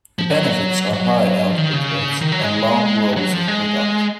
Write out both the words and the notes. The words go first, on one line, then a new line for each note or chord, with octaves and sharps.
The benefits are high output rates and long rolls of product.
F3
F#3
F#3
F3
D#3
C#3
D#3
F#3
G#3
F#3
F3
G#3